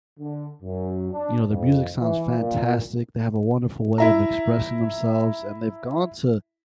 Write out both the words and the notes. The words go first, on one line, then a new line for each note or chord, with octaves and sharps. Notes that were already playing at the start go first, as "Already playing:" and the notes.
You know, their music sounds fantastic, they have a wonderful way of expressing themselves, and they've gone to
D3
F#2
D4
F2
E3
A#2
E4 E5 A#5